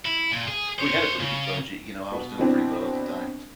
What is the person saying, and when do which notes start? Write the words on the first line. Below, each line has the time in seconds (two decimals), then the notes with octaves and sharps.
we had a pretty big budget. You know, I was doing pretty well at the time.
0.05 E4
0.32 A#2
0.48 G#4
0.79 C5 C#5
1.20 C#3
2.11 B2 B3
2.38 B2 E3 C4 D4